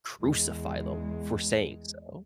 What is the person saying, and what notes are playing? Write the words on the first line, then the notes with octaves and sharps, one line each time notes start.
crucify them for saying so.
E2 G#3